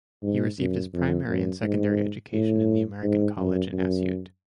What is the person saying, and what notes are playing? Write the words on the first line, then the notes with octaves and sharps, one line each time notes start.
He received his primary and secondary education at the American College in Asyut.
G#2
F#2
F2
F#2
G#2
A2
G#2
F#2
F#2